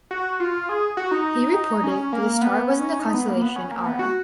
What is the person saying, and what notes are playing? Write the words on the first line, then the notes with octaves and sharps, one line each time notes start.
He reported that the star was in the constellation Ara.
F#4
F4
G#4
F#4
D#4
C#4
A#3
B3
C#4
D#4
B3
A#3
B3
C#4
A#3
B3
F#4